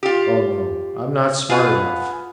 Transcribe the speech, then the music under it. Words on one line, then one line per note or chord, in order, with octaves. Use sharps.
"Oh, no, I 'm not smart enough."
F4 G4
F4 G#4 B4 F5 F#5